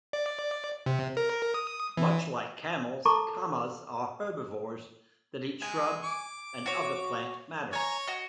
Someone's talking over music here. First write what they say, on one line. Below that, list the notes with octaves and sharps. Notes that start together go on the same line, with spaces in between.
Much like camels, camas are herbivores that eat shrubs and other plant matter.
D5
C3
A#4
D#6
E3
E4 A4 A5 A#5 C#6 D6
G#3 G#5
D6
F#4 C#5
C#5 G#5 A#5
F#4 D#5